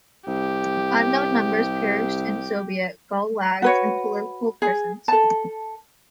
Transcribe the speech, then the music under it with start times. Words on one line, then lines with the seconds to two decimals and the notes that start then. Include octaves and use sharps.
Unknown numbers perished in Soviet "gulags" and political prisons.
0.27 C2 G4
3.62 F#4 B4 C#5
4.62 G#4
5.08 A4 A5